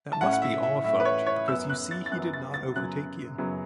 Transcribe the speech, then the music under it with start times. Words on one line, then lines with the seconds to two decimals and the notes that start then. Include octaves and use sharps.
That must be all a fudge, because you see he did not overtake you.
0.13 A5
0.21 A2 A3 C#4 F#5
0.33 F#5
0.42 E5
0.63 E5
0.84 A2 A3 C#4 E5
1.00 B4
1.05 C#5
1.26 C#5
1.48 F#2 F#3 B3 E6
1.69 F#6
1.91 A6
2.06 A6
2.11 F#2 F#3 B3 F#6
2.33 A6
2.54 A6
2.75 F#2 C#3 F#3 B3 F#6
3.38 F#2 C#3 F#3 B3